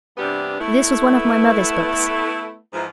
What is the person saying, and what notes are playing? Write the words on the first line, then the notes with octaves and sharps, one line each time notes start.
This was one of my mother's books.
E2 G2 C3 B3 D4 G4
A3 B3 E4
G#2 E3 F3